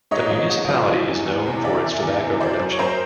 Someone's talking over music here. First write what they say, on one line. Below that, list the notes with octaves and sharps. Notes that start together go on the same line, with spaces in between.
The municipality is known for its tobacco production.
G#2 C#5 D#5
F3
G#2
F3
E3
E2
E2
C3
E3 D5 E5
E2
E2
C3
E3 C5 D5
F#2
C#5
F#2 A#4 C5